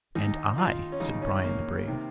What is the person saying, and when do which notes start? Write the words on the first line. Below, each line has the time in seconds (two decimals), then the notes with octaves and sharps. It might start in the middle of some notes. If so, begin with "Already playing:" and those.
"And I," said Brian the Brave.
0.15 D#2 D#3 D#4
0.58 F4
0.92 C#4
1.00 D#2 C#3 D#4
1.22 C#4
1.44 A#3
1.88 C3 D#3